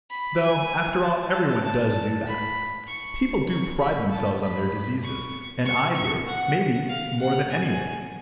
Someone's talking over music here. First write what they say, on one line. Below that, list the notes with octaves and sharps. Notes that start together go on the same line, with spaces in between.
Though, after all, everyone does do that; people do pride themselves on their diseases, and I do, may be, more than anyone.
B5
G#5
A5
A5
A5
B5
C#6
C#6
B5
A5
B5
C#6
C#6
C#6
F#5
F5
F#5
G#5